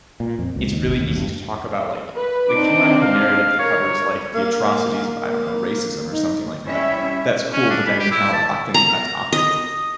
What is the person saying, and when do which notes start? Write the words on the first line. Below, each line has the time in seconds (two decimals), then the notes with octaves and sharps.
it's really easy to talk about, like like, if you want to have a narrative that covers, like, the atrocities of, I don't know, racism or something like that, that's cool, but then you're kinda locked into that topic.
0.20 A#2
0.39 F2
0.56 C#2
0.72 D#2
0.85 G1
0.99 D#2
1.16 G2
2.14 B4
2.50 C4 D4 D#4 D6
3.02 F5
3.59 A#4 C#5
4.35 A#3
5.28 A#3
6.12 D#4
6.66 G3 C#4 E4 C#5 E5
7.53 C#4
7.70 D4
7.86 B5
8.00 G4
8.11 E4
8.34 A5
8.74 A#5
9.33 D#5